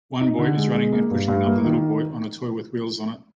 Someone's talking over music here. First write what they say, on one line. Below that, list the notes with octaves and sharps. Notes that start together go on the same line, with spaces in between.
One boy is running and pushing another little boy on a toy with wheels on it.
D#4
D3
G#3
G#3
A#3
G2
G2
A#3
D#3